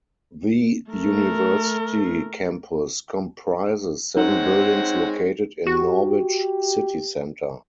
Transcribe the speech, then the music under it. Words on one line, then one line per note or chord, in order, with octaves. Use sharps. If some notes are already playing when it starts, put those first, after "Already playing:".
The university campus comprises seven buildings located in Norwich city centre.
A3 A#4
G#3 C4 D#4 C#5 F#5
F#4 G4